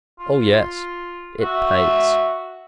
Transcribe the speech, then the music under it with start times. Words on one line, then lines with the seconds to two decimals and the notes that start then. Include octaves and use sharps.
"Oh yes, it pays."
0.19 F4
1.41 F#4 E5